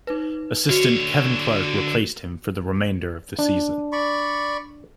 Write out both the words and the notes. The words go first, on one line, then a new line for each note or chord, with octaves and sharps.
Assistant Kevin Clark replaced him for the remainder of the season.
D#4 B4
D3 F#4 C#5
D4
D5 B5 C#6